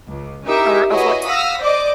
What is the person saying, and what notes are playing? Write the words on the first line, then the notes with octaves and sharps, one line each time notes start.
or of what's
C#2
C#4 D#4 E4 G4 A#4 E5
E4 F#4 G#4 B4 C#5 D#5
F5 F#5 D#6 E6 A#6 B6
C5 D5 D#5 D6